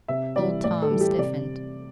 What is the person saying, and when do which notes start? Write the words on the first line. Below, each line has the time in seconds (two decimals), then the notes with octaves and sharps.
Old Tom stiffened.
0.08 C3 E5
0.36 E3 G3 D5
0.64 A2 D5
0.82 A4
0.91 E3 G3
1.01 G4
1.18 C3 D5